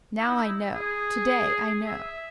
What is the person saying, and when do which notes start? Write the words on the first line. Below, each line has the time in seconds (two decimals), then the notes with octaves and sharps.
Now I know--to-day I know.
0.20 E4
0.28 D#4
0.37 E4
0.75 G#4
1.86 E5